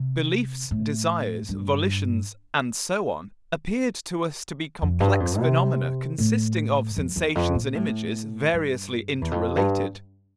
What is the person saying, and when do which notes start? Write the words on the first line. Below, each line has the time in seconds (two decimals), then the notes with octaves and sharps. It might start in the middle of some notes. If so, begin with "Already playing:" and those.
Beliefs, desires, volitions, and so on, appeared to us to be complex phenomena consisting of sensations and images variously interrelated.
Already playing: C3
0.71 A2
1.49 G2
4.82 F2
5.00 G2
5.20 F2
5.40 C3
6.18 A2
6.97 F2
7.16 E2
7.35 F2
7.55 A#2
7.74 A2
8.53 G2
9.21 E2
9.31 F2
9.56 G2